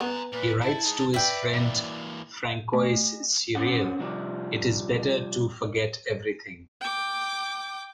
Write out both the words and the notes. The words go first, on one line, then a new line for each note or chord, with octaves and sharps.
He writes to his friend Francois Seurel: "It is better to forget everything".
B3 G#5 A#5
A#2 B4
E4 A5
D#4 G#4
B4 D5 E5 G5
E3 A#3 D5
A3
C4 C#4 F#5
C3 F3 G3
G5 D6